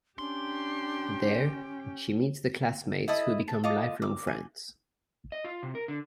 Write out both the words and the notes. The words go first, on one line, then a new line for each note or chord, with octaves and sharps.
There, she meets the classmates who become lifelong friends.
C#4 D4 G4 G5 C6
E4 A4 D#5 D#6
A5
F4 A4 D#5 D6
D6
G#5
D#5
F4
C3
A#4
D3